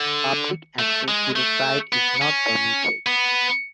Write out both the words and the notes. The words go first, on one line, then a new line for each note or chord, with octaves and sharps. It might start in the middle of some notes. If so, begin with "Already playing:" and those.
Public access to the site is not permitted.
Already playing: D3
A3
G#3
A3
B3
C#4
B3